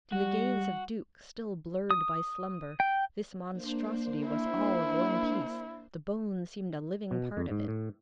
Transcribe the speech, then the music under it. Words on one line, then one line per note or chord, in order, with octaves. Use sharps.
To the gaze of Duke, still blurred by slumber, this monstrosity was all of one piece--the bone seemed a living part of it.
G3 F#4
D#6
G5
A#3 D4 C5
E4
B2
F2
G#2
A2